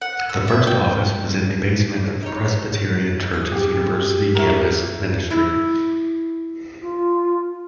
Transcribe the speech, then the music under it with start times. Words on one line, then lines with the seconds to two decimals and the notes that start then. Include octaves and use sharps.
The first office was in the basement of the Presbyterian Church’s university campus ministry.
0.02 F#5
0.29 E6
0.48 E5
0.67 G5
2.23 D#4 C#5
3.33 G#4
3.52 G4
4.35 E4 F#4 A#4
5.31 E4
6.81 F4